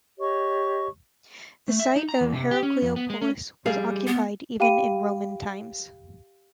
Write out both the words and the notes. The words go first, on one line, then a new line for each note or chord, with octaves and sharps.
The site of Herakleopolis was occupied even into Roman times.
G4 C#5 D#5 C#6
A3
E5
D#4
A#5
E2
C3
G4
C#4
F2
B3
G#3
C#4
G3 G#4 F5
B3
G4 F5 G5 B5 D#7